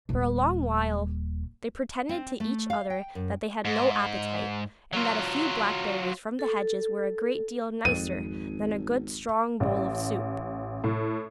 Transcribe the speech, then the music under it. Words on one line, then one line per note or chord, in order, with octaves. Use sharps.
For a long while whey pretended to each other that they had no appetite, and that a few blackberries from the hedges were a great deal nicer than a good strong bowl of soup.
D#1 G3
C4
A3
F5
G5
F#2
G#2
F#3 F4
A4
G#1 F2 D#7
A1
A2